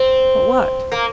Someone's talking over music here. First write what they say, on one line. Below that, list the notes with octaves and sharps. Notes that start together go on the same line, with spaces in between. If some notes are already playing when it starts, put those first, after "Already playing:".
But what?
Already playing: C4
A#3